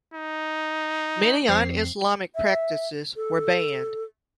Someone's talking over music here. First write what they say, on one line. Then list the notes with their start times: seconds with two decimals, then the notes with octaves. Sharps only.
Many un-Islamic practices were banned.
0.14 D#4
1.48 F2 C4 C7
2.35 E5
3.16 A4